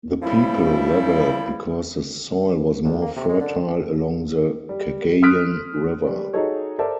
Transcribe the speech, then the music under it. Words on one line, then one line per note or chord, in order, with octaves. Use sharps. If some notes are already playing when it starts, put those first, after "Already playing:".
The people rebelled because the soil was more fertile along the Cagayan River.
C#3 E3 F3 G3 E4
D2
A#3
C3
G#3
D3
G3
C6 D#6 F6 F#6 B6 D7
G3
D#4 F#4 G#4 A4 C#5 D#5
A4 A#4 C5 D5 E5 A5